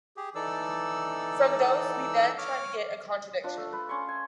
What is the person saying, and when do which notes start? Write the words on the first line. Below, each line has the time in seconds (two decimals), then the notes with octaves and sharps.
From those we then try to get a contradiction.
0.17 G4 G#4
0.35 E3 D#4 A4 D5 E6
2.38 C#5 D6 F6
3.44 D4 F4
3.57 A3
3.73 B4
3.89 C#4 C6 C#6
4.09 G#5